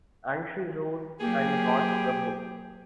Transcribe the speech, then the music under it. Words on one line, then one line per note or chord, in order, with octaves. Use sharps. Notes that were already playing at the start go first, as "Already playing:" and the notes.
And she rose and got the books.
F#3 A#3 G4 G#4